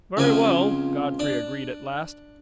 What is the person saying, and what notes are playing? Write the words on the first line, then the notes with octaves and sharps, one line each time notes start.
"Very well," Godfrey agreed, at last.
C#2 F3 C4 G#5
D4